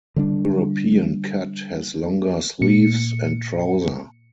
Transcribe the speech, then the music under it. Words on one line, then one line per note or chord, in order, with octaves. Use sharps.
European Cut has longer sleeves and trouser.
D3 G3 D4
A#2 C#7